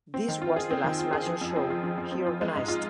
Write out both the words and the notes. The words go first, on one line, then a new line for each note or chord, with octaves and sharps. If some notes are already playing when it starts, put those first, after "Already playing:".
This was the last major show he organised.
C4
D#3
F4
G#4
C4
D#3
F4
G#4
F3
F2
C4
F4
F3
F2
C4
F4
G#3
G#2
F4